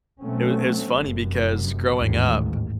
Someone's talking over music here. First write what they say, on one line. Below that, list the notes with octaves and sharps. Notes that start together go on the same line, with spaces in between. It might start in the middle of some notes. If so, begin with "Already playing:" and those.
it was it was funny because growing up,
B2 F#3 A3 C4 C#4
F1 F#2
A1 D#2 G#2